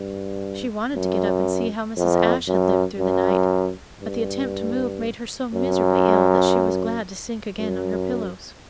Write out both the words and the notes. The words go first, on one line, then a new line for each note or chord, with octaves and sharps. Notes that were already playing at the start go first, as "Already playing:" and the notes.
She wanted to get up and see how Mrs. Ashe had lived through the night, but the attempt to move made her so miserably ill that she was glad to sink again on her pillows.
Already playing: G2
F#2
F2
F#2
F#2
G2
F#2
F#2